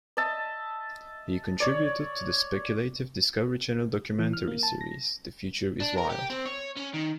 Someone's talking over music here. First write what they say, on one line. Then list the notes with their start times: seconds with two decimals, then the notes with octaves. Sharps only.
He contributed to the speculative Discovery Channel documentary series "The Future Is Wild".
0.17 D#5 E5 A5
1.60 C#5 D5
4.19 E3
4.33 F6
4.48 A#3
4.63 A5
4.81 A#6
5.81 D4
5.98 A#4
6.10 G4
6.30 C4
6.46 C#5
6.77 C#4
6.94 D#3